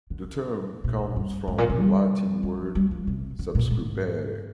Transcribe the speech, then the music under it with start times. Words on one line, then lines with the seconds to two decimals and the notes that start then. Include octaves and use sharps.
The term comes from the Latin word "subscribere".
0.10 D3
0.84 A#2
1.16 G2
1.48 G#2
1.58 A#2
1.70 C3
1.80 G3
2.43 F3
2.75 G3
2.91 F3
3.07 C3
3.39 D3
3.55 A#2
3.70 G#2